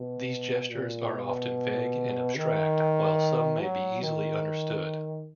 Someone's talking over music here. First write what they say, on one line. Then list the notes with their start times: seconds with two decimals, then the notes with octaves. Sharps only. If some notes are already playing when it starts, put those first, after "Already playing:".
These gestures are often vague and abstract while some may be easily understood.
Already playing: B2
0.71 A#2
1.13 B2
2.36 D#3
3.61 F#3
4.03 D#3